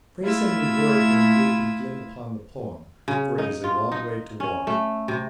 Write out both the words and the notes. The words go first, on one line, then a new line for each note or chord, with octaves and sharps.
Pray send me word when you will begin upon the poem, for it is a long way to walk.
A3 E4 F4 E6 G#6
C#3
D#4
F4
D#4
C#4
A3
C3